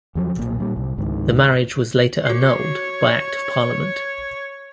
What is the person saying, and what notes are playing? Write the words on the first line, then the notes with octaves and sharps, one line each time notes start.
The marriage was later annulled by Act of Parliament.
E2 F3 F#3
B1 A#2
A#2 G3
C2
C#2 G#2 D#3
F#4 C#5 C7